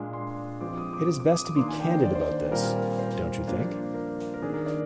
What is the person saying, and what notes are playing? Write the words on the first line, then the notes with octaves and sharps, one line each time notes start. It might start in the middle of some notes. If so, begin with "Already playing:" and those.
It is best to be candid about this, don't you think?
Already playing: A#2 G#3 D4
C6
F3 G#3 C4 D6
D#6
D6
D6
D6
D#6
D6
D#3 A#3 D4 C6
G#5
G5
C5
D5
C5
A#2 G3 C4 A#4
C5
F3 A#3 D4
A#4
A#4
D#3 A#3 D4 G#4
A#4
D5